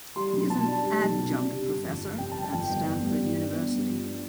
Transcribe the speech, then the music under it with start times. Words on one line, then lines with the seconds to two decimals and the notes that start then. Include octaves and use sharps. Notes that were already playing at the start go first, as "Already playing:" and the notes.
He is an adjunct professor at Stanford University.
0.16 G3 C6
0.33 B1
0.50 B2 A5
0.66 D4
0.84 G3
1.00 B1
1.17 B2
1.34 D4
1.51 C3
1.69 G1
1.86 F2
2.01 G1
2.18 C3 G5
2.32 G1 A5
2.44 G5
2.53 F2
2.70 G1
2.86 B3
3.03 G2
3.20 F3
3.37 D4
3.54 B3
3.71 G2
3.89 F3
4.05 D4